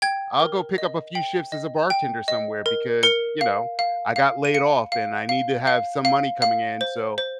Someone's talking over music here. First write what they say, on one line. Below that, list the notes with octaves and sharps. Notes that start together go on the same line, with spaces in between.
I'll go pick up a few shifts as a bartender somewhere because, you know, I got laid off and I need to have some money coming in, so
G5 G#6
A#4
D#5
G5
D#5
G5
D#5
A#4
A#4 C#7
F5
F5
F5
D#7
F5 C#7
F5
F5
F5
F5
F5
C5
C5